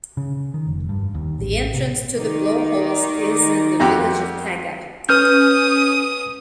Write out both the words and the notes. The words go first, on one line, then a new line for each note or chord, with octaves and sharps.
The entrance to the blowholes is in the village of Taga.
C#3
D#3
F1
G2
D#2
A1
C3
D#3 D#4 D5
F2 F#4 G4
C#4 B4 D#6 F6 G6